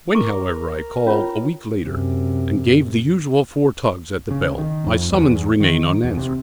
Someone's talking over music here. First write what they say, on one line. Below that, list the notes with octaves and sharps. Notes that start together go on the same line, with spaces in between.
When, however, I called a week later and gave the usual four tugs at the bell, my summons remained unanswered.
A#4 C#6 D6
C#4 F4 C#5
F#2 C3
C#3
D#3
F2
E2
D#3
E2
C3